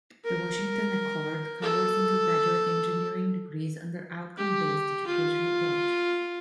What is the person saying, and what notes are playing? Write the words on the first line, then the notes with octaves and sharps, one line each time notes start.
The Washington Accord covers undergraduate engineering degrees under Outcome-based education approach.
A#4
A4
G4
F4